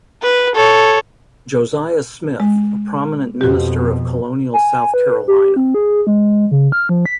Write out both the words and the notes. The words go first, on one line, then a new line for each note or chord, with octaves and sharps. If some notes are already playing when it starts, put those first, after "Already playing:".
Josiah Smith, a prominent minister of colonial South Carolina.
B4
A4 C#5
G#3
F2 B2 F#4 G4
G#5
B4
G4
C4
G#4
G#3
C#3
F6
F3
B6